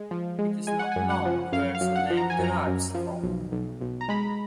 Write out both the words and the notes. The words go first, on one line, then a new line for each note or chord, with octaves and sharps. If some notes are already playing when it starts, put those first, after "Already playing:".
It is not known where the name derives from.
Already playing: G#3
F3
G#3
G#3 G#5
F#5
F#2 G#5
F#5
F3
F#2 F5
F5
F#2
F#5
F3
A#5
G#5
F#2 A#5
F#2
F3
B1
B1
B1
A#5
G#3 B5